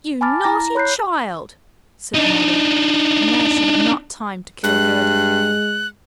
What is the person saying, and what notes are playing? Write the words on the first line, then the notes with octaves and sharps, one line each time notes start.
"You naughty child!" said the mother: and now she had not time to kill Gerda.
G#5 A5 B5 D6 F6 A6
E4 A#5 A#6
C#5 B5 F#6 G6 C7
D4 D#4
G2 G#3 F#6